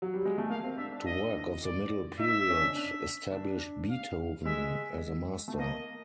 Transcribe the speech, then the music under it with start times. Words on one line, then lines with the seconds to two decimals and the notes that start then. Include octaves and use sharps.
The work of the middle period established Beethoven as a master.
0.02 F#3
0.14 G3
0.25 G#3
0.38 A3
0.50 A#3 F5
0.64 C4
0.78 D4 E5
0.93 D4
1.06 D#5
1.63 D5
2.19 D#4 E5
2.50 C#4
2.57 D4
2.76 D4
3.32 D4
3.90 F5
4.45 G#3 E5
5.48 A3
5.59 A#3 D#5